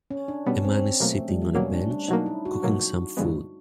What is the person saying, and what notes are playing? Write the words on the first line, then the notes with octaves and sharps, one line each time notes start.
A man is sitting on a bench, cooking some food.
C#4
D4
B2 G3 B3 C#4
C4
B2 F#3 A3 A#3
G3
G3
B2 F#3 A#3 C#4
D4
D4
B2 F#3 A#3 D#4
E4
F#4
B2 F#3 A#3
G2 D3 F3 G#3 B3